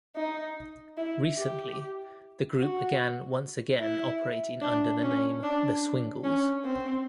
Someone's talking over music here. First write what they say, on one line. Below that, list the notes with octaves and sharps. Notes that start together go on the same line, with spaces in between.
Recently, the group began once again operating under the name The Swingles.
D#4
E4
G4
F#4
E4
D4
C#4
D4
C#4
C4